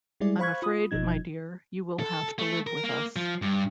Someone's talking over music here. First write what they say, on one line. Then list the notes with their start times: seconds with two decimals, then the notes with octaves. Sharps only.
I'm afraid, my dear, you will have to live with us.
0.20 G3 G#3 E4 G#4 D5
0.39 C5 F5 B5 C#6 F#6 G#6
0.62 F4 B5 D#6
0.91 G1 B2 F3 D#4 G#6
2.00 A4
2.39 A3
2.67 A#4
2.84 A#3
3.16 F3
3.42 G2